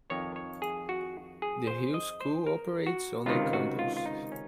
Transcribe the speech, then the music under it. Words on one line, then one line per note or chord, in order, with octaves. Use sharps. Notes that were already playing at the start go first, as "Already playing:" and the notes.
The Hill School operates on a campus.
F2 D#3 C#5
C#5
G#4
F#4
G#4
C5
D#5
C5
A#4
F#4
C#2 C3 D#3 F4
F#4
F4
F4
D#4
C#4